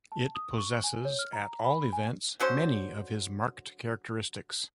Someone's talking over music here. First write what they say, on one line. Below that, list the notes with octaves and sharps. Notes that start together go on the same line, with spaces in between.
It possesses, at all events, many of his marked characteristics.
A5
D#6
C#6
G#5
C#5
F6
A#5
B5
G#5
D3 F#3 C#4 C5